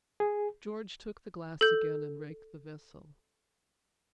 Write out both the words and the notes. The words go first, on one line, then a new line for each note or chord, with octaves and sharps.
George took the glass again and raked the vessel.
G#4
A4 G6